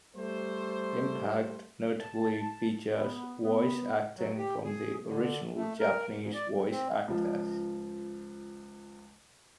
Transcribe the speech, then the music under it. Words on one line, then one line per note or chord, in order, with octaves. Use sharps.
"Impact" notably features voice acting from the original Japanese voice actors.
G3 A3 C5
A5
B3
B3
F#3
G4
G#4
D3
A3
A#4
G#2
D5
F2
C4
C#2 F3